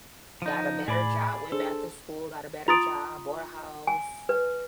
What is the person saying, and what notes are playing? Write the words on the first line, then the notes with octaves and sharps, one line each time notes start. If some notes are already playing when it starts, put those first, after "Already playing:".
Got a better job, went back to school, got a better job, bought a house,
F3 D#4
A2 G#4 D5 B5
D4 G#4 A4 C5
F4 A#5 C6 D#6 A6 D7
G#5
B4